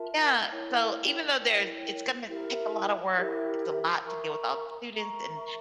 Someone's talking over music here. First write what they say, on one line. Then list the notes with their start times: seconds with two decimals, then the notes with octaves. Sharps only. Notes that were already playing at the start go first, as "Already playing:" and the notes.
yeah, so, even though there's it's gonna take a lot of work it's a lot to deal with all the students and
Already playing: F4 A#4 E5 A5
0.51 E4 A#4 C#5 G5
1.39 E4 A#4 C#5 G5
2.27 E4 G4 A#4 E5
3.16 E4 G4 A#4 E5
4.04 A#4 E5 A#5 C#6
4.93 A#4 E5 A#5 C#6